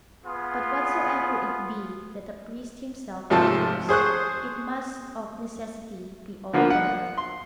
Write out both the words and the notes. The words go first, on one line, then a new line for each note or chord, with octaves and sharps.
But whatsoever it be that a priest himself offers, it must of necessity be all burnt.
B3 F4 G#4
G#2 C3 F3 A3 A5
G#4 C5 C#6 F#6
D3 F3 A#3 B3
F#5
C6